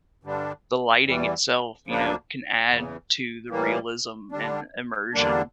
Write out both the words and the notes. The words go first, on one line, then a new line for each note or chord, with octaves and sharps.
the lighting itself, you know, can add to the realism and immersion
G2 D3 G3 D4
E2 E3 G3
D2 C#3 F3 A#3 D4
E2 C#3 E3
A2 E3 G3 A#3
D3 G3 D4
E2 D3 G3 A#3 D4